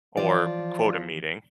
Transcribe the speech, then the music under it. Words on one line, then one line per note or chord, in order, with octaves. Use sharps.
or quota meeting.
E3 F3 D5